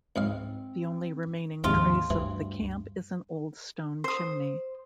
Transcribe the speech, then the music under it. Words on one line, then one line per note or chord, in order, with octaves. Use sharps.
The only remaining trace of the camp is an old stone chimney.
C#2 G#2 C4 F5
D#2 G#2 C3 F3 F4
D2 G2 E3
C5 D#6